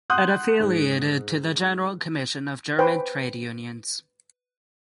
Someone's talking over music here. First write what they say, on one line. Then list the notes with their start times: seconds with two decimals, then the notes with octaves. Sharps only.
It affiliated to the General Commission of German Trade Unions.
0.10 F#5 C6 D#6 F#6 G6
0.60 G#2
2.79 B4 C5 G5 G#5